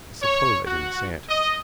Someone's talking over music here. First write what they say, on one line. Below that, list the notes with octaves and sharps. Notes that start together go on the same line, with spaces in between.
I suppose I did say it.
C#5
F#4
D#5